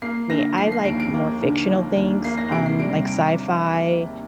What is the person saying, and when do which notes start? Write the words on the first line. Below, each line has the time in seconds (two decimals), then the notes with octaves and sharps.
me, I like more fictional things, um, like sci-fi,
0.02 A#3 C7
0.30 D3 A#6
0.58 F3 C7
0.72 C7
0.85 D#2 D7
1.00 D7
1.14 A#3
1.41 D3
1.69 F3
1.96 D#2
2.24 A#3 C7
2.38 A#6
2.52 C3 D7
2.66 C7
2.79 G3 D7
3.08 D7